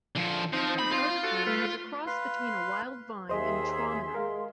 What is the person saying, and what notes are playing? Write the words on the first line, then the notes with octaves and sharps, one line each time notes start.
The other parent is a cross between a wild vine and Traminer.
D3 F3
F3 C4 D#4
B5
F4
F#4 A4
A3 B4 F5
B4 F5 C6
D#2 G#4 C5 D#5 E5 C6
G#3 A#4 F5